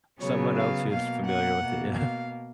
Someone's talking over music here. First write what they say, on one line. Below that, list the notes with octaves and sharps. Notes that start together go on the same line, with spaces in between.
Someone else who's familiar with it. yeah.
C#3 F#3 B3 C#5
F5
B2 A#3 F5
F#5
B2 A#3
F5